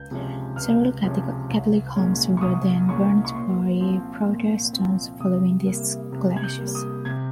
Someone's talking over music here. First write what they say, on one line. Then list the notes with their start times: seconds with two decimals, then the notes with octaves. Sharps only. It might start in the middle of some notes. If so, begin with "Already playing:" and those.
Several Catholic homes were then burnt by Protestants following these clashes.
Already playing: C#2 G6
0.11 C3 F3 G#3 C#4
0.56 C#2 F6
1.02 C3 F3 G#3 C#4
1.49 C2
1.96 A#2 G#3 C#4
2.37 C#6
2.41 C2 D#6
2.89 A#2 G#3 C#4 C#6
3.25 C#6
3.35 A#2 C6
3.80 F3 C4
4.27 A#2
4.73 F3 C4
5.20 C3 D#6
5.66 G3 A#3
6.12 C3
6.36 G#6
6.44 G6
6.59 G3 A#3
6.75 D#6
7.05 C3 G#6